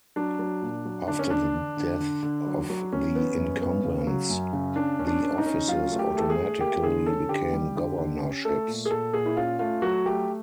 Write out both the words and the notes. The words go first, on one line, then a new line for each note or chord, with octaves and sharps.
After the death of the incumbents, the offices automatically became governorships.
F#3 D4
F#3
A#2
F#3
D3 D4
C#4
D3 D4
D3
D3
D3
D3
F#3
F#3
F#3 C#4
B3
F#2
B3
C#3
F#3
F#2
C#3
C#4 D4
C#4
D4
C#4
D#4
C#4
F#3 F4
A3
G4
A3 A4
G#4
A3
A#3 G4
D3 G#4
C#4 A4
D3 G4
G3
D3
D3
C#4
A3 A4
A#2
G#4
A#2 A4
A#2 G#4
E4
C#4 F4
A3 F4
F#3 F#4
A3 G4